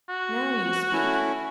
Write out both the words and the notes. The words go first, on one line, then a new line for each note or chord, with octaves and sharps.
Now you speak.
F#4
A3 C#4 E4